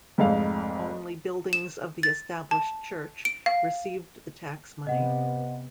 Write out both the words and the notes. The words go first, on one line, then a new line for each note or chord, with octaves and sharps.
Only buildings of the established church received the tax money.
F1 F2 G#2 F5
E7
A6
A5
D7
F5
C3 B3 D#5 F#5